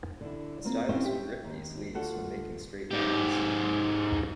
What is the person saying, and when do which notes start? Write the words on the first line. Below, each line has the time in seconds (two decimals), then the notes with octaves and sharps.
A stylus would rip these leaves when making straight lines.
0.21 D3 E4
0.65 A#3 C4 F4
0.89 C4 C#4 E4 C5 E5 F5
1.05 G4 E5 G5
1.44 D#2
1.95 D2 F4 F#4 A4 F#5
2.91 G#2 G4